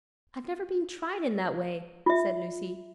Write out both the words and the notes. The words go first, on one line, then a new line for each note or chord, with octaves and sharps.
"I've never been tried in that way," said Lucy.
F4 E5